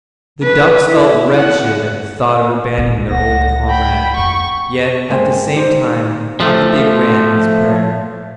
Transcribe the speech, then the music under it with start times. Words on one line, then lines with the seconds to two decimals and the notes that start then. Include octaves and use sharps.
The ducks felt wretched at the thought of abandoning their old comrade, yet, at the same time, how could they grant his prayer?
0.43 B4
0.89 E4
1.37 F#5
2.78 A#2 D3
3.11 C#2 F#5 A#6
3.69 G5 B5
4.17 F2 A#3 C#6
5.08 G2 G#3 A#3 D4 C5 G5
5.56 D#4 G4 C5
6.40 F3 A3